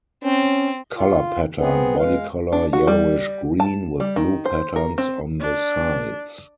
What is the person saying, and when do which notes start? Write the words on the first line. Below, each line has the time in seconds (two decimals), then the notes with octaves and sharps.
Color Pattern: Body color yellowish green with blue patterns on the sides.
0.24 C4 C#4
0.96 F4
1.59 B3 C4 G#4 B4
1.99 G#3 F5
2.53 D4
2.73 F#4
2.87 G3
3.60 A5
4.00 G3
4.16 D#3
4.45 C5
4.76 A#4
4.98 C4
5.40 D4